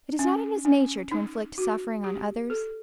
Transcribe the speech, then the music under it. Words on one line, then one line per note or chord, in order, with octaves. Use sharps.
It is not in his nature to inflict suffering on others.
C#4
C#4
D#4
F#4
G4
A4